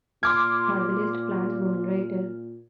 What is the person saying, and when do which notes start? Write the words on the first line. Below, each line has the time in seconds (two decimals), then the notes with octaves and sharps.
Herbalist, plants women, writer.
0.23 A#2 C6 D6 F6 G#6